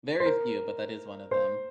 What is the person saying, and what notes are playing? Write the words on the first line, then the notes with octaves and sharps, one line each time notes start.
Very few, but that is one of them.
C5
A#4
C5